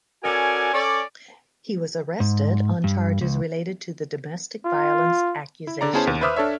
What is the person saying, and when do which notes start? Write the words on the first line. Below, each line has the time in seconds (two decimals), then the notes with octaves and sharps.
He was arrested on charges related to the domestic violence accusation.
0.24 C#4 F#4 A4 A#4 D5 G#5
0.73 C#4 A4 C#5 D5
2.20 G#2
2.84 G2
3.21 C#2
4.65 F4
5.67 E4
5.81 D3 D5 A#5
5.93 B3 C#4 E4 G#4 C5 A5
6.07 D#2
6.21 B4 C5 E5 D6 D#6 F6
6.36 D4 A4 C#5 E5